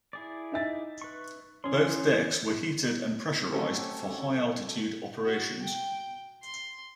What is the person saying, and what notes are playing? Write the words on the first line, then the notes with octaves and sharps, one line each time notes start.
Both decks were heated and pressurized for high altitude operations.
E4 G#4 D5
D#4 E5 A6
B4 C#6
E3 C#4 G#4 C6
F#3 A3 C4 C#4 G4 A4
F#4
G5
C6